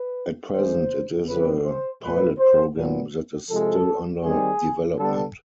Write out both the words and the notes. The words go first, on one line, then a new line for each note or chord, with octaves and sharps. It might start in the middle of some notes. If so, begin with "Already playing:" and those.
At present it is a pilot program that is still under development.
Already playing: B4
D#3 G#3 C4 C5
C#3 E3 G3 C4 B4
C5
A#2 F3 A3 B4
C5
A#2 F#3 B3
C3 F3 G#3 A4
D#3 G3 C4 G#4
D3 G3 B3 A4